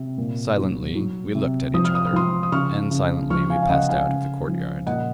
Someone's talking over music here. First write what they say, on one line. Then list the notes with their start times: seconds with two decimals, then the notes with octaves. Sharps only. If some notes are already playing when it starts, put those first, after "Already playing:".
Silently we looked at each other, and silently we passed out of the courtyard.
Already playing: C3
0.18 A#2
0.57 F#3
0.96 F#3
1.35 C3
1.74 F3 D#6
1.85 F6
1.95 D#6
2.06 F6
2.13 F3 C6 D#6
2.43 D#6
2.52 C#3 C#6 F6
2.91 C#3
3.30 F3 C#6 F6
3.50 F5 G#5
3.63 F5
3.69 C#3 D#5 F#5
3.89 F5 G#5
4.09 C#3
4.48 F3
4.87 A#2 D#5 F#5